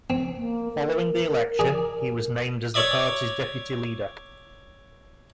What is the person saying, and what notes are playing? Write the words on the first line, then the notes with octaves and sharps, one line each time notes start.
Following the election, he was named as the party's Deputy Leader.
C4
A#3
A#4
G#4 D5
C#5 D5 E5 D#6